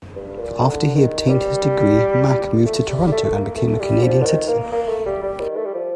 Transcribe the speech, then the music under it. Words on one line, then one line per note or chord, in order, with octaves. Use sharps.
After he obtained his degree, Mak moved to Toronto and became a Canadian citizen.
G2
A#2
D3
D#3
G3
A3
G3
G3
A3
A3
A#3
A3
G3
F3
D3
D#3
A#3
A#3
A3
G3
G3
D#3
A3
G3
F3